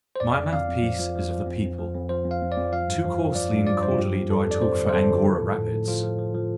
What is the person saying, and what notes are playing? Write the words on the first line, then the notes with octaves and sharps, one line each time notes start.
My mouthpiece--is of the people: too coarsely and cordially do I talk for Angora rabbits.
C5
F2 D5
F2
F2 F5
F2
F3
F3
F3
F3
F2
F2
F3
F2
F3 C5
F2
F5
F2
D5
F2
F3 F5
G2
F3
F3
F3 D5
G2
F3 D5
G2 C5
F4
F3 G4
F3
F2 A4
F2 D5
F2 C5
D3
C5
F2 A4
D3
F3
A2
A2
A2
F3 F4
F3
F3
F3